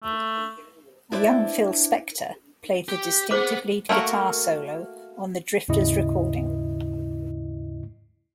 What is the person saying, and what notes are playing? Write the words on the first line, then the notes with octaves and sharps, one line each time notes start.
A young Phil Spector played the distinctive lead guitar solo on The Drifters' recording.
A3
D4 E4 B4 C5 D5 E5
G4
G#4 B4 C5 F#5 D6
A3 A#3 F#4 A#4
D#2 G#2 C#3 E4 D#5